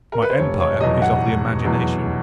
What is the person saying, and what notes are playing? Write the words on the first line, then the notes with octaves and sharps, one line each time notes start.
My empire is of the imagination.
A#4
B4
C5
F1 C#5
C#5
E2 B2 F#3 D#5
F#5
F1
E2 B2 F#3